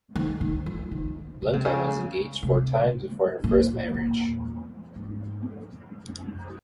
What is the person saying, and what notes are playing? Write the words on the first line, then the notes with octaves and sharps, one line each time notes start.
Blanca was engaged four times before her first marriage.
D#3
D#3
F3
D#3
C#3
C3
C#3
C3
A#2
A#2
G#2